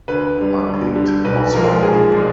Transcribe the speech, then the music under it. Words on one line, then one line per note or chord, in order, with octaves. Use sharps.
I picked Oswald.
D2 B4
D3 G3
D2
D3 G3
B1 B4
A#2 F3 G#3 A#4
B1 G#4
A#2 F3 G#3